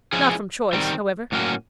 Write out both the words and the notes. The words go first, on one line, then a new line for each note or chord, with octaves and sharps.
Not from choice, however.
F3 G#3 C#4 E4 G#4
D#3 G3 C4
A2 F#3 A#3 C#4 F#4